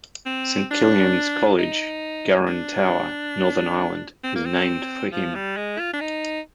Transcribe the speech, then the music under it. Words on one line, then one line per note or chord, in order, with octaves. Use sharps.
Saint Killian's College, Garron Tower, Northern Ireland is named for him.
C4
D4
D#4
D4
C4
A#3
C4
F3
G3
G#3
F4
D4
D#4